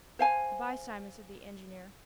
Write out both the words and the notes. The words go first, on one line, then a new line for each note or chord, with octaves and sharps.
"Good-by, Simon," said the engineer.
C5 F5 G#5